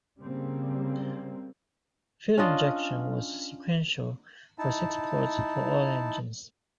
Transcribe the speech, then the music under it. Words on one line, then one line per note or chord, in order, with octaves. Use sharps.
Fuel injection was sequential for six ports for all engines.
C#3 G3 A#3 C4
C#4 D4 F4 D#5
D#4 E4 A5